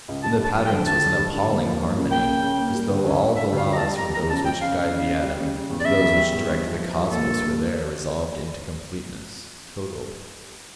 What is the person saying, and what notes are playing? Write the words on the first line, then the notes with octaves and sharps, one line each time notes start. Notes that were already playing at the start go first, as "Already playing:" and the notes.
In the patterns was an appalling harmony--as though all the laws from those which guide the atom to those which direct the cosmos were there resolved into completeness--totalled.
C#2
G2 A5
G2 A5
F3
G5
D3
D3 A5
G2
G2
D3
A#3
F3
A#3
C#3
A#3 G5
C#3
C#3
A#3
G3
D3
C#4
D3
D3 E5
D2
F5
G3
A#5
A5
G3
F2 A#5
F3 A#5
C#3 A5
F2 G5
C#3 F5
C#3
C#3
C#3
G3
C#3
C#3
E2
D5
C#3 E5
E2
G3
E2
G2
F3
F3
F3
A#3 A4
G2
A#3